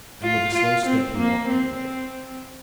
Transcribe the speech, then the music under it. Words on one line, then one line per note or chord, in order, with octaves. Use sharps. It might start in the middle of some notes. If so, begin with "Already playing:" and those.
And with a slow step he walked away.
F4
F4
C4
A#3
C4